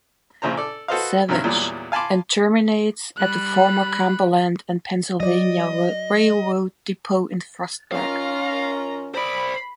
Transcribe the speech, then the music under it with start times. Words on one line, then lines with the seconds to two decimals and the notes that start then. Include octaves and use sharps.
Savage, and terminates at the former Cumberland and Pennsylvania Railroad depot in Frostburg.
0.42 A#1 A#2 C#3 C5 A#5
0.57 A4 D5
0.88 F#4 A4 B4 C5 D#5 F5
1.28 G2 C3 D#3 F#3
1.44 E2 A#2 F#3 G3
1.92 F5 G#5 A5 B5 C6 D6
3.17 G3 B5 F#6
5.20 F#3 D5 D#5
7.92 D#3 C#4 F4 F5 A#5
9.15 C5 D5 B5